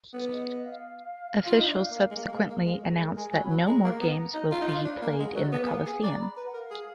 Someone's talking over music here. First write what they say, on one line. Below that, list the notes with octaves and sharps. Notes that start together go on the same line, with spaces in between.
Officials subsequently announced that no more games will be played in the Coliseum.
B3 B4
D#5
D#5
F5
F4
D#4
D4
A#3
G#3
A#3
A#3
G#3
A#3
G#3 A#4
A#4
F#3 G#4
B4
G#3 A#4
G#3 G#5
F#3
B5
F#3
G#3 A#5
A#3
B3
D#4
F4
D#4
F4
D4
B5
A#3 A#5
G#5
G#3 F#5
D5
F#3 D#5
F#5
B3 F5
B3 G#5
A#3 F#5
G#4 G#5
D5 A#5
B5
B4 A#5
F#5
A#4
F5
G#4